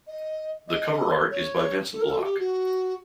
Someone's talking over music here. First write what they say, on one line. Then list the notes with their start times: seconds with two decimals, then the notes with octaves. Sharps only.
The cover art is by Vincent Locke.
0.07 D#5
0.68 D#5
1.31 C#5
1.93 A4
2.01 A#4
2.09 A4
2.19 F#4
2.24 G4
2.39 F#4